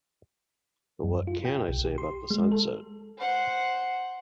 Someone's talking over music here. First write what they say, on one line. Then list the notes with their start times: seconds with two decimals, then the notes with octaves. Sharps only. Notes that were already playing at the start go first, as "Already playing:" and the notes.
But what can I say about the sunset?
1.04 F#2
1.27 F4
1.45 G5
1.69 B1
1.85 G4
1.98 C6
2.30 G#3
2.52 A4
3.18 C5 F#5